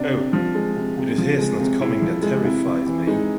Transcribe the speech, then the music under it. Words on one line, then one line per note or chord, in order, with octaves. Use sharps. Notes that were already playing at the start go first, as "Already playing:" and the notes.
Oh, it is his not coming that terrifies me.
Already playing: C3 D4
C3
F3
G#3
C3
C3
F3
G#3
C3
C3 E4
F3
G#3
C3 E4
C3
E3
G#3 D#4